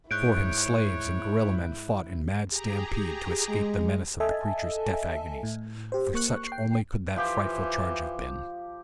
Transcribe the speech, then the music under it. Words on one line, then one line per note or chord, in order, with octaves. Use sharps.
Before him slaves and gorilla-men fought in mad stampede to escape the menace of the creature's death agonies, for such only could that frightful charge have been.
G#2 E4 C#5 F#6 G6 D7
G4 G#4 A#5
G#3
A4 D#5 E5 G#5 A5
A2
G4 C5
A#3 C#6 F#6
G5 C7
E3 F3 G4 G5